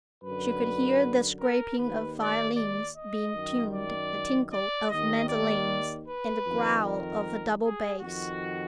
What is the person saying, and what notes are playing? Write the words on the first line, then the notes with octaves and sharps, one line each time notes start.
She could hear the scraping of violins being tuned, the tinkle of mandolins, and the growl of a double bass.
F#2 D3 B4
A#4
D#2 D#3 B4
D5
D5
D#5
F#2 D#3
D5
D5
D#2 D#3 D#5
D5
B4
F2 D#3
A#4
G#4
F2 D#3 F#4